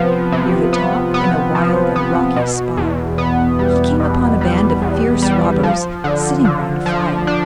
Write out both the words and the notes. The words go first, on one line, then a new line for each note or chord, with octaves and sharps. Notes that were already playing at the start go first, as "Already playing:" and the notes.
Near the top, in a wild and rocky spot, he came upon a band of fierce robbers, sitting round a fire.
Already playing: C3 F3 B3
C3
B3
B3
F3
B3
B2
E2
B3
G3
B2
G3
E2
G3
F3
D3
D3
F3
D4